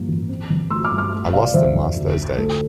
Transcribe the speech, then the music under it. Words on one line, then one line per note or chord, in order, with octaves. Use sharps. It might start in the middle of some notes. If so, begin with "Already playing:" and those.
I lost them last Thursday.
Already playing: G2 F3 A#3
A1
C4
E3
A3 C6 E6
D6 F6
G2
D6 F6
A3
C3 D5 F5
E3 C5 E5
F2
D2
D3
A3 A4